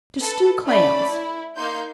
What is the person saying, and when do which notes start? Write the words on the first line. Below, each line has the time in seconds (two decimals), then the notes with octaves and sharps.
To Stew Clams.
0.20 A4 B4
0.65 A3 C#4 D5 B5
1.09 E4
1.56 A#3 D#4 C6 G6